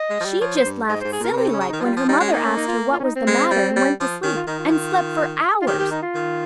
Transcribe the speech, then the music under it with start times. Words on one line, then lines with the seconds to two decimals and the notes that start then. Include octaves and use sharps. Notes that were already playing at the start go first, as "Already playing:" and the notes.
She just laughed silly-like when her mother asked her what was the matter and went to sleep and slept for hours.
Already playing: D#5
0.10 G#3
0.20 F3
0.25 G3
0.41 F3 C#5
0.57 C5
0.65 G2
0.88 G#2 D#5
1.01 C5
1.04 G#2
1.13 G#4
1.20 A#2 A#4
1.32 C#3
1.36 C3 C4
1.49 C#3
1.52 C#4
1.60 C#3
1.69 D#3 D#4
1.80 F3
1.84 G3 F4
1.96 F3
2.08 G3 D#4
2.20 G#3 C#4
2.32 A#3 D#4
2.44 C#4
2.56 D#4
2.68 F4
2.92 F4
3.00 C#4
3.04 D#4
3.16 C4
3.27 G#3
3.51 G3
3.76 G3
4.00 F3
4.23 D#3 C#4
4.35 F4
4.47 D#3 D#4
4.59 F4
4.67 F3
4.71 D#3
5.61 F4
5.67 D#3 G4
5.78 G4
5.91 D#4
6.02 F4
6.15 D#3